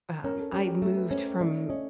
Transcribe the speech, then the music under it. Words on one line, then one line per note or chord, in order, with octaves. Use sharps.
Um, I moved from
C#4 A#4
A4
C#4 G4
G4
A3 A4
B4
C#4 C5
C#5
A3 D5
C#4 D#5